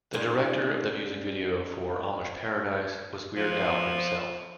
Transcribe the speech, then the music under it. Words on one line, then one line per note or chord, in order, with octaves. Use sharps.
The director of the music video for "Amish Paradise" was Weird Al himself.
G#2 C#4 G4 C5 D5
F3